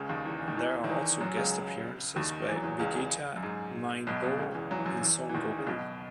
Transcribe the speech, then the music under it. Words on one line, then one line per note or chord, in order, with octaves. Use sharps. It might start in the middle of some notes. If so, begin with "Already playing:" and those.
There are also guest appearances by Vegeta, Majin Boo and Son Goku.
Already playing: C#2 C#3
D#2 D#3
E2 E3
D#3
E2 E3
D#3
E2 E3
F#2 F#3
C#2 C#3
D#2 D#3
E2 E3
F#3
E2 E3
C#2 C#3
F#2
G#2
B1 B2
B1 B2
C#2 C#3
E2 E3
F#3
E3
F#2 F#3
E2 E3
E3
D#2 D#3
C#3
B1 B2